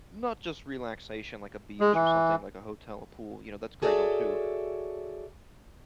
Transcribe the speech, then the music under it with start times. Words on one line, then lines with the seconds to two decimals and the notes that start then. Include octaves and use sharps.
not just relaxation, like a beach or something, like a hotel, a pool, you know? That's great and all too,
1.80 G#3
1.94 E3
3.82 F#4 G#4 A4 C#5 D5 E5